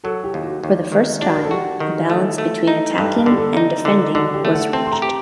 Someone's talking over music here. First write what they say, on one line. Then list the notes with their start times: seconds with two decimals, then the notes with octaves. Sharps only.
For the first time, a balance between attacking and defending was reached.
0.04 F#3 A4
0.24 G4
0.34 D#2
0.43 F#4
0.63 D#2
0.92 D#3
1.22 D4 F#4
1.35 A#4
1.43 A4
1.51 F#4 G4
1.80 D#3
2.10 A3
2.38 A3
2.68 D#4
2.98 G2 A4
3.18 A#4
3.26 D3
3.31 G4
3.37 A4
3.57 D#4
3.85 D3
4.14 D3 F#4
4.34 G4
4.45 A3
4.53 F#5
4.73 C4 A5
4.86 C6
4.92 A#5
5.02 G4